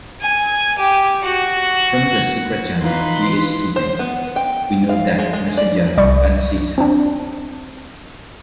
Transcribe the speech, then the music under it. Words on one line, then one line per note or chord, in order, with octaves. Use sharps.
From the secret journal he is keeping, we know that Messenger fancies her.
G#5
G4
F#4
E3 D#4 F4 B4 C6
C5
B3
G5
F5
G#3
G#3
D5
C2 D5 B5 C#6 G6
C4 D4